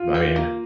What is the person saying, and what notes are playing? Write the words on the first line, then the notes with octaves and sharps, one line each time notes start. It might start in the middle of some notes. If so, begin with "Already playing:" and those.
I mean,
Already playing: F4
G4
A#3